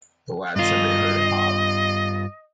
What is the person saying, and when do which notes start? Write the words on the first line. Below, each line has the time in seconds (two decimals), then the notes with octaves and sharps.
The lads said they heard it pop.
0.56 G2 F4 D#5